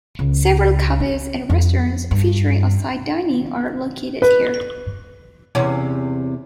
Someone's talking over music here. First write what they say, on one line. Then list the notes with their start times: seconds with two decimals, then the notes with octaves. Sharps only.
Several cafes and restaurants featuring outside dining are located here.
0.19 C#2
1.00 C#4
1.50 F2
2.11 G2
4.22 B4
5.55 E2 C3 C#4